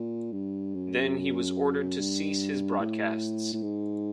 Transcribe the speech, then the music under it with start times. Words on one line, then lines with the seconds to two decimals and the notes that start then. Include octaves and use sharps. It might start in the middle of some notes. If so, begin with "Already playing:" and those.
Then he was ordered to cease his broadcasts.
Already playing: A#2
0.32 G2
0.74 F#2
1.98 G2
2.80 A2
3.53 A2
3.62 G#2